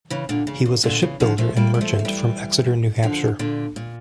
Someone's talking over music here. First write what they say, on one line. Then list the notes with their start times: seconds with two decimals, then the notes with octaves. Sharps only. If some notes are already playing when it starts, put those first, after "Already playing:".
He was a ship builder and merchant from Exeter, New Hampshire.
0.10 C#3 E3
0.29 A#2 D3
0.47 C#3
0.66 C#3
0.83 A#2 D3
1.02 C#3 E3
1.20 D3 F3
1.38 F3 A3
1.56 G3 A#3
1.74 G3
1.81 F3 A3
1.99 F3
2.05 E3 G3
3.03 D3 F3
3.39 A#2 D3
3.76 A#2